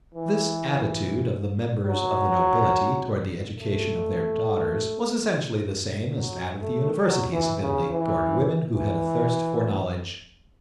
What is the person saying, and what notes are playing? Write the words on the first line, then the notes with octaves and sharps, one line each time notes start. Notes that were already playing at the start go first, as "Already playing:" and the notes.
This attitude of the members of the nobility toward the education of their daughters was essentially the same as that of the universities of Italy toward women who had a thirst for knowledge.
E3
F#3
A3
F#3
A3
F#3
E3
C#3
E3
E3